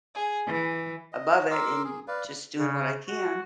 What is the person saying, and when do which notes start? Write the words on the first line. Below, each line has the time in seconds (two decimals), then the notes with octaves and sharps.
above it and just doing what I can,
0.15 G#4
0.48 E3
1.13 D#5
1.51 A#4 C6 D6 E6
1.84 G#4
2.08 B4 D5 F5
2.58 C#3
3.08 F#4